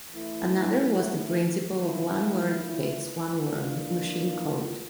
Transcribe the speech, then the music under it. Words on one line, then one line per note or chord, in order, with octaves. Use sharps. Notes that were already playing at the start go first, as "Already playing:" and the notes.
Another was the principle of "one word of text one word of machine code".
E3 A3 E4
E3 A#3 E4
E3 A#3 D4 F4